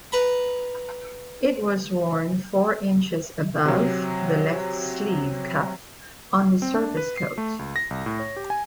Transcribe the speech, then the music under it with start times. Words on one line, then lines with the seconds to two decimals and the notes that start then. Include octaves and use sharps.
It was worn four inches above the left sleeve cuff on the service coat.
0.12 B4 A#5 B5
3.65 C3 F#3
6.62 C4
6.74 D4
6.97 B4
7.17 C7
7.38 A3
7.59 C#2
7.76 A#6
7.91 C2
8.06 A2
8.20 C#5
8.36 G4
8.50 G#5